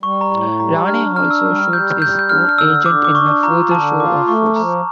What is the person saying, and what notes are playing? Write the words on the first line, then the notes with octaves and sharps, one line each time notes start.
Rane also shoots his own agent in a further show of force.
G3 C#6
A#5
A2 C#6
G3 A#5
D4 F6
D4 F6
E6
G3
F6
G3 G6
G3 G6
G6
D4 F6
F6
D3 E6
D3 D6
D6
D4 C#6
F4 A#5
D3 A5
F4 D6
A3 C#6
F3 A#5